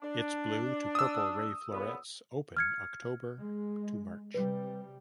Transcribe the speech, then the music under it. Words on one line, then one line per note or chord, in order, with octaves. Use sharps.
Its blue to purple ray florets open October–March.
D4
D#6 E6
A#2 C#3 B3
F6 G#6 C#7
G#3
C3 G3 B4